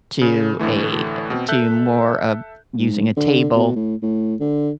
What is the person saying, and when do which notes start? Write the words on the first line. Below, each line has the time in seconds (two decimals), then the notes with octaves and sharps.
to a, eh, to more of using a table
0.21 C#3
0.59 A2 D3 E3 A3
1.30 B2 C4
1.48 A4 E5 F#6 G6
2.78 G#2
3.17 D3
3.56 B2
3.75 A2
4.02 A2
4.40 D3